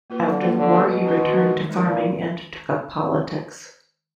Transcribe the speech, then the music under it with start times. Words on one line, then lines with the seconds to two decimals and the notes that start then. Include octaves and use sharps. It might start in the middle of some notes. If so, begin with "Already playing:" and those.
After the war he returned to farming and took up politics.
0.10 A#3 F4 B4
0.25 D3 F#3
0.42 A#3 F4 B4
0.57 D3 F3
0.73 B3 D4 F#4 B4
0.90 B2 F3
1.05 B3 D4 F#4 B4
1.21 D#3
1.37 G#3 D#4 A#4
1.54 D#3
1.69 G#3 D#4 A#4
1.85 A#2 D#3